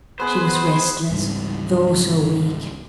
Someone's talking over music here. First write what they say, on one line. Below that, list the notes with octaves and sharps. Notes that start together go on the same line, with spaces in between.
She was restless, though so weak.
B3 G#4 B4 C5 F#5
C#2 G#2 E3 G3